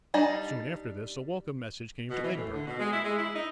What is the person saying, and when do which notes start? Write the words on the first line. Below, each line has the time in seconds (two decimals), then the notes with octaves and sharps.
Soon after this a welcome message came to Egbert.
0.14 G3 D4 D#4 D#5
2.11 B2
2.24 E3
2.37 A2
2.53 D3
2.67 B2
2.80 G#3
2.93 E4
3.04 G#3
3.19 E4
3.36 D#4